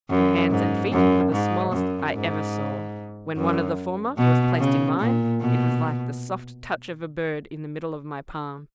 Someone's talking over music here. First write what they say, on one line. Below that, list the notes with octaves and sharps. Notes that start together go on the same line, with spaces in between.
Her hands and feet were the smallest I ever saw; when one of the former was placed in mine, it was like the soft touch of a bird in the middle of my palm.
F#2
G#2
F#2
G#2
F#2
G#2
F#2
B2
C#3
A#2
B2